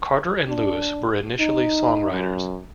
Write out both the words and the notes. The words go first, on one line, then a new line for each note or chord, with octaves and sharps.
Carter and Lewis were initially songwriters.
D4
D#4
F#2